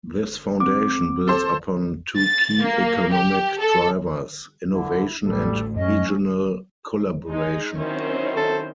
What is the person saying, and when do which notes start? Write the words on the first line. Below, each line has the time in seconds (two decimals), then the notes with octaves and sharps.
This foundation builds upon two key economic drivers - innovation and regional collaboration.
0.60 C4 D6
1.28 A4 C5
2.18 A6
2.63 A#3
3.12 G4
3.60 A4
4.69 D3 E4
5.24 A1 D2 G3 A4
5.76 F#2 F#3 A3 C#4 D#5
7.30 G#3 D#4
7.77 D#3 F#3 C4 C#4 E4 C5
8.37 A4